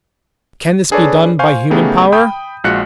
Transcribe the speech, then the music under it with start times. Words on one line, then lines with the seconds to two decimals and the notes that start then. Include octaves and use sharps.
Can this be done by human power?
0.91 D4 G#4 A4 B4 C#5 D5
1.39 C5 F5 G#5 C#6 G6
1.70 C#3 A3 B3 D#4 G4 G#4
2.12 G5 B5 D#6 G6
2.64 A#1 G#3 F4 F#4 F#6 C#7